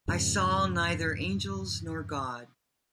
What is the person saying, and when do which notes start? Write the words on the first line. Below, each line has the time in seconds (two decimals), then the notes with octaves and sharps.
I saw neither angels nor God.
0.08 F2 G#2 C#3